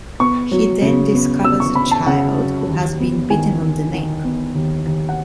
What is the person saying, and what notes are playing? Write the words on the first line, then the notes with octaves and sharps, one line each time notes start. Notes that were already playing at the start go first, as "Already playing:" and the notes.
He then discovers a child who has been bitten on the neck.
B3 C#6
F#3
C#3
B3
B3 E6
C#6
B3 B5
A5
C#3 F#5
F#3
D#2
B3
D#3 G#5
D#3
D#3
B3
D#2
D#2
F#5